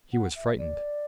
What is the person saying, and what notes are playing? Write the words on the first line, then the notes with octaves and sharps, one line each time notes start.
He was frightened.
F#5
E5
D5